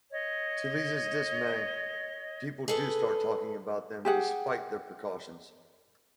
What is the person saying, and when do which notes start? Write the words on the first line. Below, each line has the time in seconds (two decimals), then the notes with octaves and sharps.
To Liza's dismay, people do start talking about them despite their precautions.
0.11 C#5 D#5
2.68 G#4 A4 B4
4.05 G4 G#4 F#5